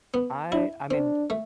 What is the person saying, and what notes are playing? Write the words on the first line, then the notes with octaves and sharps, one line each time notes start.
I I mean, w
B3
D4 E4
C4 D4
A3